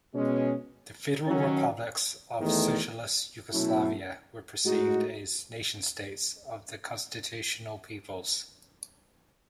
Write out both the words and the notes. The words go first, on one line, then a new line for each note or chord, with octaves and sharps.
The federal republics of Socialist Yugoslavia were perceived as nation-states of the constitutional peoples.
B2 G#3 C#4
D#3 F#3 C#4
E2 D#3 A3
B2 F#3 A3 C#4 E4
A2 G#3 D#4 F#4